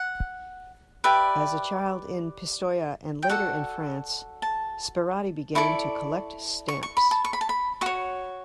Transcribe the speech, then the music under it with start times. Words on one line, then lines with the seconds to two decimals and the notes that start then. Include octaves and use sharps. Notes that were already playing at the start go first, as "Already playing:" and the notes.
As a child in Pistoia and later in France, Sperati began to collect stamps.
Already playing: F#5
1.04 G4 B4 D5 E5
3.22 G5
3.29 F#4 A4 D5 F#5
4.42 A5
5.55 E4 A4 D5 C#6
6.68 C#6
6.83 C#6
6.97 B5
7.11 A5
7.25 C#6
7.33 B5
7.41 A5
7.49 B5
7.81 F#4 C#5 C#6